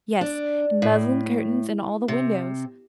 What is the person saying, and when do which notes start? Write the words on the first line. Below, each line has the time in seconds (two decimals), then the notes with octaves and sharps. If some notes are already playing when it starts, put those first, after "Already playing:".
Yes, and muslin curtains in all the windows.
0.21 D4
0.82 A2
2.08 C3